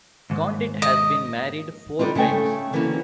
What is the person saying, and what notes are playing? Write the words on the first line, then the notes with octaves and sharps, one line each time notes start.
Condit has been married four times.
D#2 G#2
D#5
D3 G3 D#4 F4
C#3 A3 A4 G5 G#5
D3 E3 F#3 A#3 C#4